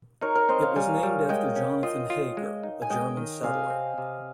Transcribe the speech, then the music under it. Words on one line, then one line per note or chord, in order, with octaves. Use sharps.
It was named after Jonathan Hager, a German settler.
D#4 A#4 C#5
A#4 C#5
C4 C5 D#5
C#5 F5
G3 F5 G#5
G3
G#3 D#5 G5
C#4
F4 D#5 G5
F4
G#3
D#4
G#5
G#3 D#5 G5
D#3
C3 F5 G#5
C4
C3